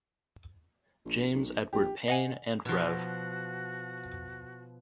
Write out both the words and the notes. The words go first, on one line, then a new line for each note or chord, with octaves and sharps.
James Edward Payne and Rev.
A#1
B1
A#1 G4
D#5 F#5 G#5
B2 F3 F#4